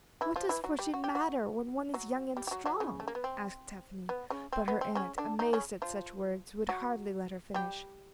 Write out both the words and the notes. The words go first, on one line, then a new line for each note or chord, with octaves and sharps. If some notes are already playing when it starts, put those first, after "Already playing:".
'What does fortune matter when one is young and strong?' asked Tephany, but her aunt, amazed at such words, would hardly let her finish.
E3 E4
F3 F4
E3 E4
F#3 F#4
G3 G4
F#4
G4
F#3 F#4
F#3 F#4
G3 G4
G4
F#3 F#4
F#3 F#4
C#3 C#4
A3
A#3
B3
C4
B3
C#3 C#4
C4
B3
C4
C#3 C#4
D3 D4
D#3 D#4
C#3 C#4
F3 F4
F#3 F#4
G3 G4